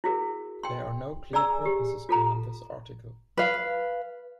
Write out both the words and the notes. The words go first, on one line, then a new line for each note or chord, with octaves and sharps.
There are no clear purposes behind this article.
E4 F#4 G#4 A#4
G5 C6
G#4 D5 G#5 A#5 E6
G4
F4 A4 A#5
B4 F5